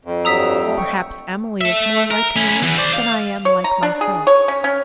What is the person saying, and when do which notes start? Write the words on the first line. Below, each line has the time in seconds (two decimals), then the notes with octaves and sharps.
Perhaps Emily is more like me than I am like myself.
0.05 F2
0.25 G2 F#3 A#5 D#6 E6 B6
0.65 G3 A3
0.78 G5 C#6
1.61 A3 E5
2.11 A#4
2.36 C#4 E4
2.62 E2 E3
2.78 C5 D5
2.93 F5
3.45 C#5
3.64 A#5
3.83 D4
4.01 G#4
4.27 C#5
4.48 C#4
4.64 C#4